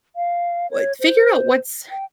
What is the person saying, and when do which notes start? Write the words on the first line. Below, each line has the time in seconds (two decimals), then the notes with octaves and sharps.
what figure out what's
0.16 F5
0.71 C#5
1.00 C5
1.91 G5